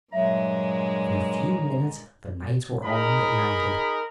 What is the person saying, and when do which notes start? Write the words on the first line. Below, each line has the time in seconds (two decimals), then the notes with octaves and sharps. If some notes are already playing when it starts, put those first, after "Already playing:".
In a few minutes the knights were armed and mounted.
0.13 G2 A#2 F#3 G#3 E5 A#5
2.83 D#4 G#4 A#4 B5